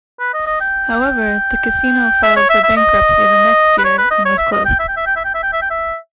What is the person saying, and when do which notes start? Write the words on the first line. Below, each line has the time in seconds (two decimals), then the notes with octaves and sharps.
However, the casino filed for bankruptcy the next year and was closed.
0.20 B4
0.34 D#5
0.47 D#5
0.61 G5
2.23 E5
2.36 C#5
2.49 E5
2.63 E5
2.77 D#5
3.79 B4
3.85 C#5
3.98 B4
4.11 D#5
4.25 C#5
4.38 E5
4.52 D#5
4.65 G5
4.79 E5
4.88 G5
4.97 E5
5.06 G5
5.16 E5
5.25 G5
5.34 E5
5.43 G5
5.53 E5
5.62 G5
5.70 E5